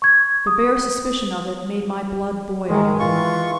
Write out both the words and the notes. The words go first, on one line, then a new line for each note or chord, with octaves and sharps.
The bare suspicion of it made my blood boil.
C#6 G#6
D#6
D#3 G#3
E3 F4 C#6